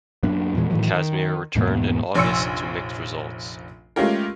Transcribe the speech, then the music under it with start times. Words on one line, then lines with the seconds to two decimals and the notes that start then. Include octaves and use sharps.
Kazmir returned in August to mixed results.
0.23 F#2 F#3 A#3 D4
0.55 E2 A#2 E3 G#3
0.70 A2 D#3 E3 F#3
0.91 D#3
1.55 E2 G#2 B2 A#3
2.15 F1 A#1 C#5 C6 E6 C#7
3.96 G#3 A3 C#4 F4 G4 A#4